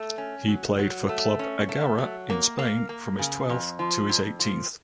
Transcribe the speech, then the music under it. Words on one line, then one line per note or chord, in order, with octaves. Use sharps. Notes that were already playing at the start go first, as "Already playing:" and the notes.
He played for Club Egara in Spain from his twelfth to his eighteenth.
Already playing: A3
C#4
F#3
F#3
A3
C#4
A3
F#3
A#3
A#3
A#3
C#3
F2
F3
F2
F3